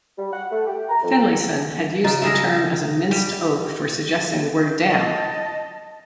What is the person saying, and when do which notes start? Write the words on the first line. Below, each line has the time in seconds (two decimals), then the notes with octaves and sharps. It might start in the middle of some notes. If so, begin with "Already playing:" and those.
Finlayson had used the term as a minced oath for suggesting the word damn!
0.18 G3
0.32 F#5
0.51 A3
0.67 G4
0.89 A#5
1.03 F2
2.04 C#3 F#4 D#5 A#5
2.22 E4 G#4 A#4 E5
3.11 G3
4.87 D#5 A5